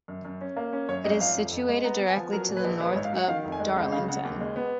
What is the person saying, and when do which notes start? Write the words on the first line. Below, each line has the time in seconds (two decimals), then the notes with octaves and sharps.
It is situated directly to the north of Darlington.
0.08 F#2
0.25 F#2
0.41 C#4
0.57 A#3
0.73 C#4
0.89 F#2 C#5
1.04 G#1 D#5
1.20 F3 F5
1.37 F1
1.53 F2
1.69 G#3
1.84 B3 A#5
2.00 B3
2.09 G#5
2.17 F3
2.33 F#3 A#4
2.49 A#2
2.57 B4
2.64 A#1
2.80 A#1 B4
2.92 C#5
2.96 G#2
3.04 F5
3.13 F#3 F#5
3.28 D#3 F5
3.45 F1
3.52 G#5
3.60 G#3
3.76 C#2 F#5
3.92 C#3 F5
4.08 C#3 F#5
4.24 D#2
4.41 G#3
4.56 B3